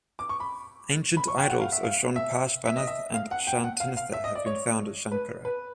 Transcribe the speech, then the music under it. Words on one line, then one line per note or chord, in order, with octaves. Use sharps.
Ancient idols of Jain Parshvanath and Shantinatha have been found at Shankara.
D6
C#6
B5
B5
C#6
G5
F#5
F5
E5
F5
E5
E5
D#5
E5
F5
F#5
G5
F#5
F5
F5
E5
D#5
D5
C#5
B4
B4